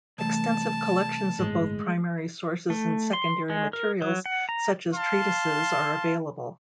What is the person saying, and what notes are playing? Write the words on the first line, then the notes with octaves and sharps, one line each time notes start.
Extensive collections of both primary sources and secondary materials such as treatises are available.
C2 E3 A3 A5
G1 A2 G#3
A3
C6
G#3
A#4
F#3
F#5
A#5
F5 A5 C6